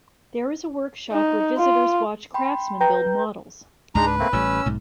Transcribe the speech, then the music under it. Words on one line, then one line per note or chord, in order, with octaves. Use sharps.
There is a workshop where visitors can watch craftsmen build models.
D#4
F4
G5 B5 C6
B4 G5 A#5 G6
C#2 G#2 C#3 G#3 D4 D#4 A#5
B4
A3 A#3 C4
A1 A2 G3 C#4 E6
B1 G#2